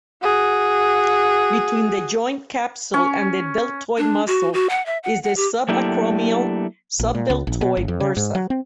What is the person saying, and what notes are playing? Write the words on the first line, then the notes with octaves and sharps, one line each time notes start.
Between the joint capsule and the deltoid muscle is the subacromial-subdeltoid bursa.
F#4 G#4
C#4
D4
F#4
F#4
F#5
E5
F#5
F#5
G4
F#3 A3 A#3 D4 E4 G4
A#1
A#2
C#2
A#1
B2
G1
F2
C#3
G#2
F#3
C4